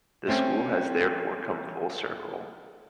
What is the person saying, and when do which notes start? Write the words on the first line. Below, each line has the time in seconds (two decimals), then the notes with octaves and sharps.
The School has therefore come full circle.
0.28 A3 C4 C#4